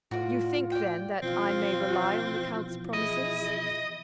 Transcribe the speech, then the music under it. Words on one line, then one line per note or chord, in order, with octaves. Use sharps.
"You think, then, that I may rely on the count's promises?"
A2 F4 F#4 D5
D5 G5
B2 E3 F3 C4 F4
E4 G#4 D#5